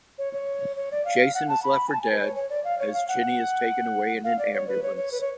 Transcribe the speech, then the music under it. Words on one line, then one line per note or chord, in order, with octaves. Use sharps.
Jason is left for dead as Ginny is taken away in an ambulance.
C#5
C#5
C#5
D5
F5
F#5
A5
B5
G#5
A5
G#5
B4
C#5
C#5
D5
F5
C#5
F5
F#5
F5
D5
C#5
B4
C#5
C#5
B4
C#5